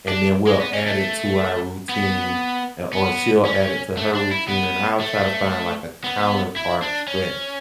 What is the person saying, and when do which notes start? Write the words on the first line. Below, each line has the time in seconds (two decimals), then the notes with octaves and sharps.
and then we'll add it to our routine, eh, or she'll add it to her routine, and I'll try to find like a counterpart stretch
0.08 D4
0.47 G#3
0.60 B3
0.74 C#4
0.86 A3
1.90 B3
2.93 B3
3.45 C#4
3.97 A3
4.15 D4
4.31 E4
4.48 B3
5.01 A3
6.04 B3
6.56 E4
6.82 D4
7.08 C#4